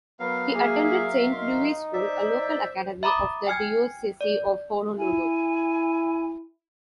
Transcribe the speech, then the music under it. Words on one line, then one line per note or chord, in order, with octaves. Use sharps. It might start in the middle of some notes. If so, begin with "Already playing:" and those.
He attended Saint Louis School, a local academy of the Diocese of Honolulu.
F#3 B3 A#4 F5
A#3 G#4 E5
D#4 C6
C5 D5 E5
E5 A#5 B5 D6 D#6
G5 G#5 F6 G#6
D5
E4 G#5